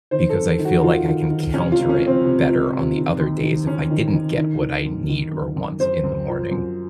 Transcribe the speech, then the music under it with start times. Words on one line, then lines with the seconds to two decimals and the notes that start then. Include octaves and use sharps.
because I feel like I can counter it better on the other days if I didn't get what I need or want in the morning.
0.11 D#3 C5
0.30 A4
0.36 F#2
0.59 D#3
0.65 F#4
0.83 D#3 F4
1.07 D#3
1.30 D#3
1.54 C3 C#4
1.72 F4
1.78 C#2
1.89 C#4
2.01 F3
2.07 C4
2.25 C3
2.49 C#2
2.72 C3
2.96 D#3
3.19 D#2
3.43 D#3
3.67 D#3 C#4
3.91 D#3
4.14 D#3
4.38 D#3
4.62 D#3
4.85 F#2
5.09 D#3
5.33 F#2
5.56 F#2
5.80 F#2 C5
6.04 F#2
6.27 F3
6.51 F#2